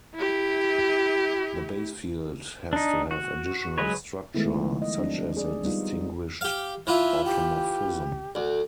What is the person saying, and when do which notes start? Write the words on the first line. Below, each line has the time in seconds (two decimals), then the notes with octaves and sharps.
The basefield has to have additional structure, such as a distinguished automorphism.
0.15 E4 G4
2.73 D4 D#4
3.11 F#4
3.78 F#3 G#3 B4 C#5
4.35 D#3 G#3 A3 B3 E4
4.55 F3 F4
4.82 D#5
4.98 F#3 C4 D4
5.37 G#4 D5
5.63 G3 B3 D#4 F4
6.41 G4 F5
6.87 E3 F4 E5
7.25 G4
8.35 D2